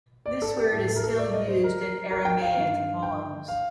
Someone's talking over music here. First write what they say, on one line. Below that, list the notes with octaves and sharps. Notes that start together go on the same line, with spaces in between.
This word is still used in Aramaic poems.
D5
A4
G4
A2 A4
A4
A#4
A4
D5
D#5
C5
A#4
A#4
G5
F5
G2 D#3
G5
F5